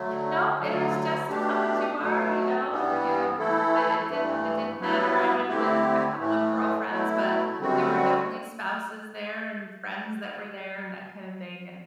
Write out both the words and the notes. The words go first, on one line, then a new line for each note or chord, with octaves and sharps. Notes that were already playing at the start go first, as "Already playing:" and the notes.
No, it was just "come as you are," you know? G you know, th it didn't it didn't matter, I went with a couple of girlfriends, but there were definitely spouses there, and friends that were there, and that kinda thing, and,
Already playing: D3 F#3 A3
D2 D3 F#3
B2 A3 D4 G4
B2 F#3 A3
G2 E3 G3 B3
E3 A3 E4 A4
G2 E3 A3
G2 F#3 B3 E4 B4
D3 A3 C4 E4 G4
A2 E3 A3
B2 F#3 A3 E4
F#2 D3 G3 C4 F#4